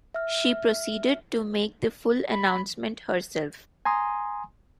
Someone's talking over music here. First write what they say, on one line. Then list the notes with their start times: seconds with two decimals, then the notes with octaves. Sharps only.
She proceeded to make the full announcement herself.
0.14 E5 F6
2.31 B5
3.85 G#5 A#5 C6 D#6